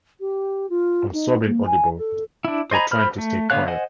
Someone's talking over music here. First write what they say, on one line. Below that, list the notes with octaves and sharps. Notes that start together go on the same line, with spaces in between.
I'm sobbing audible, though trying to stay quiet.
G4
F4
D#4
A#3
G#5
A4
D4 E4
C5 D#5 G#5 A#5 B5
C5 B5 F6
A3
D3 B3 C#5 F5 F#6
C5 D#5 F#5 G#5